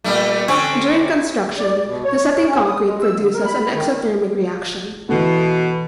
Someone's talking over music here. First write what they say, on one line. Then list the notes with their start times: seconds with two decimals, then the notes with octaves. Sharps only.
During construction, the setting concrete produces a exothermic reaction.
0.04 A#2 G3 A3
0.48 D3 C4 C#4
1.59 D5
1.86 B2
2.04 C#5
2.30 C#5
2.48 C#4
2.66 D#6
2.86 G#3
3.02 E6
3.18 D3
3.34 A#4
3.45 B5
3.74 D#3
5.09 B2 E3 A3